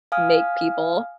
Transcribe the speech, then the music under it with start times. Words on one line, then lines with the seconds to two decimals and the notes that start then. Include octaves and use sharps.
make people
0.12 F5 G#5 D#6 F6